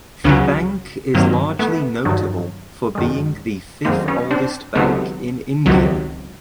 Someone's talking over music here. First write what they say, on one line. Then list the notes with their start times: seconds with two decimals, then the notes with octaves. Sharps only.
The bank is largely notable for being the fifth oldest bank in India.
0.24 C#2 C#3 F#3 B3 C#4
1.14 G2 D#3 F#3 A#3 C4
1.59 A3 B3
2.05 G2 D#3 F#3
2.95 F#2 D#3 G#3
3.85 F#2 D#3 G#3 A#3 C4
4.08 B3 C#4
4.31 C4 D4
4.75 C#2 C3 D#3 F#3 A3 B3
5.66 C#2 C3 D#3 F#3